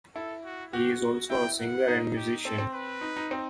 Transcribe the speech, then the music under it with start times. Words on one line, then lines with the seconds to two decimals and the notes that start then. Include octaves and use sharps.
He is also a singer and musician.
0.15 E4 A4
0.45 F#4
0.73 F#4 G4
1.30 E4 G5
1.59 F#5
1.88 D#4
2.16 G4
2.44 C4 A4
2.58 C4
2.73 B4
3.01 D#4
3.16 D#4
3.31 C4